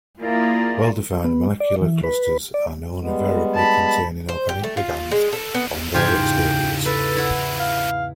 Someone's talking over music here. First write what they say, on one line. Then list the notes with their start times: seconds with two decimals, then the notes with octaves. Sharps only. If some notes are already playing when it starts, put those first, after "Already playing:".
Well-defined, molecular clusters are known, invariably containing organic ligands on their exteriors.
0.21 A#3 E4 F4 G#4 A#4 D5
1.24 B3
1.60 D5
1.81 E3
2.04 B4
2.54 D5
3.00 G3 G#3 B3
3.55 A5 B5
4.29 C5
4.49 G4
4.64 A3
4.77 F4
5.11 G#3
5.33 A4
5.54 B3
5.94 E2 G#2 C#3 F4 G4 G5 G#5
6.86 A4 B4
7.17 E4 F#5
7.59 F5